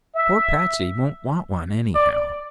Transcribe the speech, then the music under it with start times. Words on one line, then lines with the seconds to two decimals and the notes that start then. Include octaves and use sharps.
Poor Patsey won't want one, anyhow.'
0.15 E5
1.95 D5